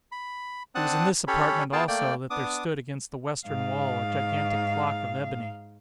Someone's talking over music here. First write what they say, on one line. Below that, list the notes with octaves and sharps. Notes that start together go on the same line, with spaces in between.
It was in this apartment, also, that there stood against the western wall, a gigantic clock of ebony.
B5
C4 D4 F#5 A5 D#6 F#6
C#4 G4 A4 C#5 B5
B3 F4 G#4 F5 G5 A5
A3 A#3 D5 G5
B3 D4 D6 D#6
G#2 F5